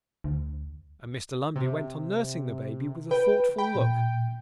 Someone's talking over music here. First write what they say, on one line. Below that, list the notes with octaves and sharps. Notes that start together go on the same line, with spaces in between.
And Mr Lumbey went on nursing the baby with a thoughtful look.
D2
C3
B4 G5
G5 B5
A#2